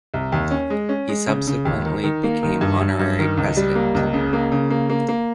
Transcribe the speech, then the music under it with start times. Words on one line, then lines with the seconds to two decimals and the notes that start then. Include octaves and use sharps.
He subsequently became Honorary President.
0.14 C2
0.32 D#2
0.51 C#4
0.70 G#3
0.89 C#4
1.09 G#3
1.28 C#3
1.47 C#3
1.65 D#2
1.85 D#3
2.04 D#3
2.24 A#3
2.43 D#3
2.61 G2
2.81 G2
2.99 G2
3.19 D#3
3.37 C#2
3.57 G3
3.75 A#3
3.95 C#2
4.13 C#3
4.33 A#3
4.52 C#3
4.70 A#3
4.89 A#3
5.08 A#3